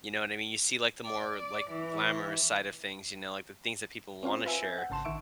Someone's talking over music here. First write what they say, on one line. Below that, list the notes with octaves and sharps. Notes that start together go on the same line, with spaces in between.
you know what I mean? You see, like, the more, like, glamorous side of things, you know, like, the things that people wanna share,
D5
E3
C4 C#4 F4 C5
F4 B4 E5 G#5 E6
G6
F#5
G#1 C#3 A5 C6 E7
A#1 D#3 E5 C#6 D7